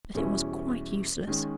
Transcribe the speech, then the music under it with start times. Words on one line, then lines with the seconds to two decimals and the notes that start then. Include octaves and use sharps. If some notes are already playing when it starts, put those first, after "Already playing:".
But it was quite useless.
0.15 E2 B2 G3 C#4 E4
1.27 D#3 G#3 C#4